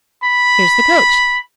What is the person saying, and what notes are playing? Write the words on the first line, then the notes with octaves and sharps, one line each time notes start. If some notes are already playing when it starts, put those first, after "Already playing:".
Here's the coach.
B5